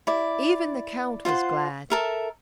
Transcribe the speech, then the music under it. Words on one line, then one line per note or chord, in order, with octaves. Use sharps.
Even the Count was glad.
E4 D5
F4 C5 F#5 C6
A4 A#4 E5